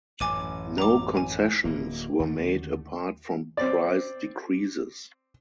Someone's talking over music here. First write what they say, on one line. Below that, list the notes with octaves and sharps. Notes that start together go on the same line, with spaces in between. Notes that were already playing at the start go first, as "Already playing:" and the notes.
No concessions were made apart from price decreases.
A1 F#2 G#5 D6 D#7
A#5 D6
G#5
D1 A#3
D#2 D3 A3
C4 D5